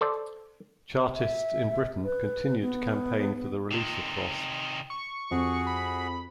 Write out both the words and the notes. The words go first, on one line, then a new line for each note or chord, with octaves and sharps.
Chartists in Britain continued to campaign for the release of Frost.
A4 C5 D5
E5
B4
B3
C3 D#3
C#6
F2 F#4 G#4
B5